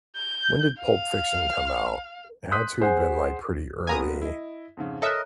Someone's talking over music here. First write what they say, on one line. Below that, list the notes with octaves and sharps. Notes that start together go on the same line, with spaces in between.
when did Pulp Fiction come out? It had to have been like pretty early,
G6
F5
C6 D#6 F#6 G6 B6
G#4 C5 F#5 G#5
F1 A#3 B3 G#5 A#5 D#6
E4 D#5
F2 G#2 C#3
A4 A#4 C#5 D#5 E5 A#5 F#6 C#7